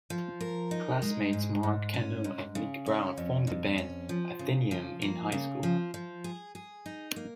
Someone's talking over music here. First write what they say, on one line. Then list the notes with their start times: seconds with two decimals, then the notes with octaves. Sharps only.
Classmates Mark Kano and Nic Brown formed the band, Athenaeum, in highschool.
0.10 F3
0.41 A#4
0.71 D#4
1.02 G#3
1.33 G#2
1.63 G#2
1.94 C#4
2.24 G#2
2.55 C#3
2.86 C#4
3.18 F2
3.47 F2
3.78 C#4
4.09 F3
4.39 C#3
4.71 F3
5.02 A#3
5.32 C#3
5.63 F3
5.94 F3
6.24 G#4
6.55 G#4
6.86 D#4
7.16 A#3